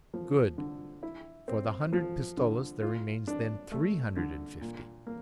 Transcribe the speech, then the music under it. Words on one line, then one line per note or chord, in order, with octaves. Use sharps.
"Good for the hundred pistoles; there remains, then, three hundred and fifty."
F3
D3
E4
C4
F3
D3
F4
D4
A3
D3
A#2
A#3